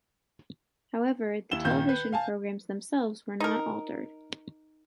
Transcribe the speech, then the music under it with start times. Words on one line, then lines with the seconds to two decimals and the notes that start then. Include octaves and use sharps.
However, the television programs themselves were not altered.
1.51 D#2 E4 E7 G7
1.64 A#1 D#3 F4 G6
1.89 B4
2.12 F5 G#5 A5
3.40 D#4 A#4